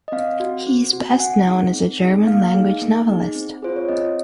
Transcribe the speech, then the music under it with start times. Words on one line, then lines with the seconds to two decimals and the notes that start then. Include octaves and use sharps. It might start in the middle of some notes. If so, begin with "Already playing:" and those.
He is best known as a German-language novelist.
0.08 D#5
0.12 C4 F5
0.40 F#4
0.67 C4
0.93 F#4
1.10 G#5
1.20 C4 F#5
1.47 D#4 G#4
1.73 C4
2.01 D#4 G#4
2.27 A#3 F5
2.54 D#4 G#4
2.82 A#3
3.08 D#4 G#4
3.35 C4
3.62 F4 G#4 C5
3.76 C#5
3.89 C4 D#5